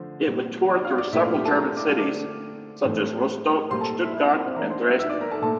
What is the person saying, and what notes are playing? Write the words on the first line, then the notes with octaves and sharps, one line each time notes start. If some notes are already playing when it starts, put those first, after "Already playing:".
It would tour through several German cities, such as Rostock, Stuttgart, and Dresden.
Already playing: D3 F3 A3 C5
A#2 G3 C4
D5 D6
F5 F6
D5 D6
A#2 A3 D4 E4 E5
F4 F5
G4 G5
A4 A5
A#4 A#5
D5 D6
F5 F6
D3 A3 C4 D5 D6
A2 E3 A3 C4
A#2 G3 A#3 C5 C6
A4 A5
E4 E5
E4 E5
C4 C5
A#4
C4 C5
E3 A#3 D4 A#4 A#5
C5 C6
E5 E6
E5 E6
D5 D6
A#4 A#5
A4 A5
A#2 A3 A4 A5